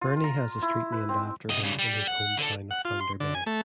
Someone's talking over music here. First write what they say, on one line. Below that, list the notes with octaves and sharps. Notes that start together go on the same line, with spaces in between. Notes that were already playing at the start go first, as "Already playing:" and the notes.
Burney has a street named after him in his home town of Thunder Bay.
F4
A#5
E4
B4
C4
C3 D#5
C#3 G3
G3
F#5
D3 A4
F#5
F4
C6
D3
G#5
A3